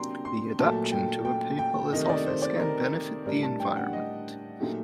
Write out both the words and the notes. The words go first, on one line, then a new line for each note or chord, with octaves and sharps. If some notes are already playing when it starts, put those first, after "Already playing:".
The adaptation to a paperless office can benefit the environment.
Already playing: C3 F#3 A#3 D4 G5 A#5 C6
C6
A#2 F#3 A3 A5
G5
G5
G5
C3 D#3 A3 D#5
D#5
D5
C5
D5
A#4
A2 G3 D4 A#4
A5
G5
G5
F#5
D#5
A#2 F#3 A3 D#4 G4